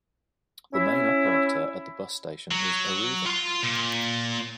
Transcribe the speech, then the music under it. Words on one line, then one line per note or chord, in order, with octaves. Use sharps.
The main operator at the bus station is Arriva.
C#4 E4
F#3
F4 C6
A#2